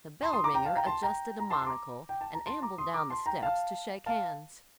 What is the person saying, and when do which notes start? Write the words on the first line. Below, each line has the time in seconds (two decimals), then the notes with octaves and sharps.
The bell-ringer adjusted a monocle and ambled down the steps to shake hands.
0.22 A5 C6
0.33 C6 D#6
0.44 A#5 D6
0.54 G5 A#5
0.65 F5 A5
0.76 G5 A#5
0.86 A5 C6
1.02 G5 A#5
1.40 A#5
1.50 A5 C6
1.62 C6
1.66 A#5 D6
2.09 G5
2.21 A5
2.34 A#5
2.46 A5 C6
2.62 A#5 D6
2.78 C6 D#6
2.94 A#5 D6
3.10 A5 C6
3.26 G5 A#5
3.43 F5 A5
4.06 F5 A5